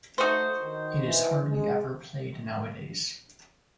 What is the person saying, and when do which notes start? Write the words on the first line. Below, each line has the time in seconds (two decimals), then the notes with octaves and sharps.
It is hardly ever played nowadays.
0.18 A3 D#4 F#4 C5
0.62 D#3
1.05 E3
1.49 G#3